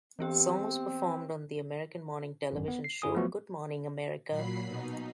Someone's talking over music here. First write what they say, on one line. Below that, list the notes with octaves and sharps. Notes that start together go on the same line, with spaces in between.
The song was performed on the American morning television show "Good Morning America".
E3 B3 C4 G4
G#1 F#2
B3
C7
F#2 E4 G#4 D#6
F3 F#3 A3 B3 F#4
A#2 F#3 B5 C7
B2 D#4